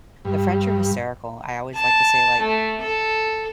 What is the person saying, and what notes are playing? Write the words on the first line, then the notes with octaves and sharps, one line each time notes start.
the French are hysterical. I always like to say, like,
G2
A5
A3
A4